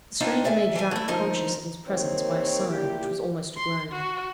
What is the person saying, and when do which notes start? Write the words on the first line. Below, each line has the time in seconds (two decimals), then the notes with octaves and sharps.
The stranger made Jacques conscious of his presence by a sigh, which was almost a groan.
0.20 C4 D4 D#4 F4
0.44 G#4 D5 E5 F5 G#5
0.75 E3 G#5
0.91 A3 E4
1.08 D2 F3 D#4 A#4
1.87 C3 D#3 A#3 C4 C#5
2.68 A#2 E4 G4
3.57 C6
3.92 F#4